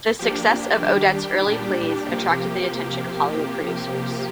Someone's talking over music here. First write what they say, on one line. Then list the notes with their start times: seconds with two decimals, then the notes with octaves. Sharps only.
The success of Odets's early plays attracted the attention of Hollywood producers.
0.19 F3 A#3 D4 G4
0.82 D#3 G3 D4 G4
1.46 A#2 G3 D4
2.09 C3 F3 A#3